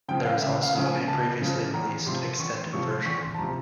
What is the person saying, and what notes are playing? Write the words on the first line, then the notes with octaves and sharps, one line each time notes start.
There is also a previously released extended version.
C#3 F3 G5
F5
C#2 E5
F5
C#3 F3
G#5
C#2 A5
C#3 F3
E2 A#5
C3 F3 C6
C6
E2 C#6
C6
C3 F3 C#6
C6
E2 C#6
C6
A5
C3 F3 A#5